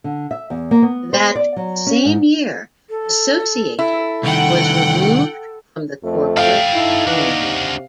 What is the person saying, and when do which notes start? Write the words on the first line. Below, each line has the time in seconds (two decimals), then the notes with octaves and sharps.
That same year, "Associated" was removed from the corporate name.
0.04 D3
0.31 E5
0.50 E2
0.71 A#3
0.82 B3
1.13 C5
1.35 D5
1.56 F#3
1.87 C#4
2.05 G#2
2.90 A4
3.79 E4 A4
4.23 C2 D#3 F#5 G5
6.04 F2 A3
6.37 A4 F5 G5
6.74 D#4 E4
7.07 E3 D4 F#4
7.42 C3